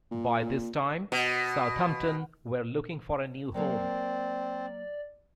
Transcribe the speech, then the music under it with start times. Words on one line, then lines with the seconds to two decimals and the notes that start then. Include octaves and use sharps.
By this time, Southampton were looking for a new home.
0.11 A#2
1.12 B2
3.54 F#3 A#3 C4 C#5 D5